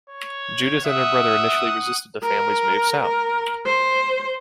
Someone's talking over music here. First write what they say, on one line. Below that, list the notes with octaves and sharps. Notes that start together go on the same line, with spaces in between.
Judith and her brother initially resisted the family's move South.
C#5
E5 F#5 D#6
A#4
A#4
C5